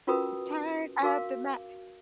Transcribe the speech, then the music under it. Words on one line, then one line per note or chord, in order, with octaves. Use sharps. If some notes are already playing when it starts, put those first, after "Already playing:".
Return of the Mac.
C#4 F4 F#4 A#4 B4 D#6
F#4 A#4 F5 D6